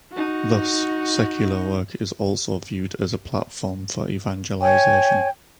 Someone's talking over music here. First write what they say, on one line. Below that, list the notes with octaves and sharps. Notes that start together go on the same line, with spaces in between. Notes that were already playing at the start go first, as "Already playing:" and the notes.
Thus, secular work is also viewed as a platform for evangelization.
D#4 F#4
C#5 G5 G#5